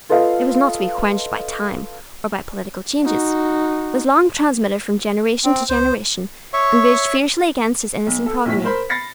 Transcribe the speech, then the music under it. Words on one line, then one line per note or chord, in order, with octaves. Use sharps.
It was not to be quenched by time or by political changes, was long transmitted from generation to generation, and raged fiercely against his innocent progeny.
F4 A4 B4 D#5 F5
D#4 F#4
C4
C#2 C5
C#5 E5 C#6
B1
A4
A#1 A2 B6
A#4 C5 B5
B5 A6 A#6 C7 C#7